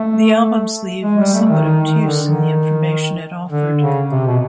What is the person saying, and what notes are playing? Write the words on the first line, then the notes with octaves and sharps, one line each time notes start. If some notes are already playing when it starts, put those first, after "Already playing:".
The album sleeve was somewhat obtuse in the information it offered.
Already playing: A3
G#3
G3
A3
D#3
D#3
D#3
D3
D#3
D3
C#3
C3
B2